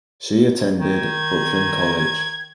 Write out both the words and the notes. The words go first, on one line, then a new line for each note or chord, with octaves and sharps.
She attended Brooklyn College.
D#3 G#6